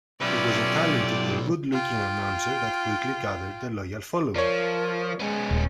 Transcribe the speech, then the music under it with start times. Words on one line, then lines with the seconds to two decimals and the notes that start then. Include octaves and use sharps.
He was a talented and good-looking announcer that quickly gathered a loyal following.
0.21 B1 C#4 E4 F4 G4 B4 D5
1.72 F4 G5
4.35 F3 A#4 C#5 D5
5.20 G#3 B3 C#4
5.51 D#1